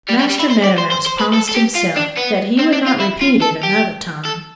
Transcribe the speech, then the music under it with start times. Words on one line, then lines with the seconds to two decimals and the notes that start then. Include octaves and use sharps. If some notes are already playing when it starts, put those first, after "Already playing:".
Master Meadow Mouse promised himself that he would not repeat it another time.
0.09 G3
0.19 G3
0.29 G3
0.39 E4
0.50 C5
0.64 D5
0.78 C5
0.92 C5
1.06 C5
1.20 B4
1.33 A4
1.49 A4
1.54 G4
1.75 F4
1.96 D4
2.17 B3
2.59 C4
2.72 D4
2.87 F4
3.00 E4
3.21 F4
3.42 A4
3.63 G4
4.25 A4